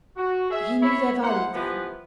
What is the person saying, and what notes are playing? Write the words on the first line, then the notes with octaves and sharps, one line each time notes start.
"He knew their value, then?"
F#4
G#4 E5
E4 C#5
E4 C5 F#5
E3 F3 B3 G4 B4